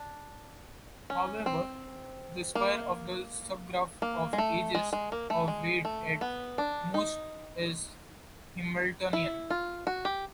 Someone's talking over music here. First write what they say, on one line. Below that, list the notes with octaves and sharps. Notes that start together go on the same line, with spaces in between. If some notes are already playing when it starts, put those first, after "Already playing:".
However, the square of the subgraph of edges of weight at most is Hamiltonian.
Already playing: D4
C#4
C4
A#3
A#3
G#3
A3
G#3
G#3
A#3
A3
G#3
A3
B3
D4
D#4
E4
F4
F#4
G4